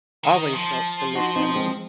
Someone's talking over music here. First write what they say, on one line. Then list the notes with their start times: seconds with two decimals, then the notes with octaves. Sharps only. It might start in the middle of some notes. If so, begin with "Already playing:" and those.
always help to lift our mood.
0.24 D#3
0.54 F3
1.15 D#4 F#4
1.36 C4 D#4
1.55 G#3 C4